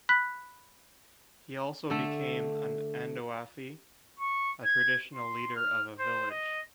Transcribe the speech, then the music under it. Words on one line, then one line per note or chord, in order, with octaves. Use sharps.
He also became an "ondoafi", a traditional leader of a village.
B5 F#6 B6
D3 A3
C#6
G#6
C6
F6
C5
D#5